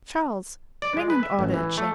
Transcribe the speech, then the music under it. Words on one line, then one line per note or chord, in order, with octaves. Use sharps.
Charles, ring and order a chair.
D5
G#3
B4
E5
A1
E3
A3